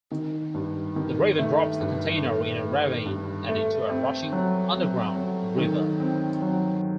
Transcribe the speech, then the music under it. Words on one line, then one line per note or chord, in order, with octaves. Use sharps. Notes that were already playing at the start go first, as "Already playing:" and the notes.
The raven drops the container in a ravine and into a rushing underground river.
D#3
G2
D#3
A3
G2
A3
A3
G2
A3
C4
F#3
C4
F#3
D#3
C4
F#3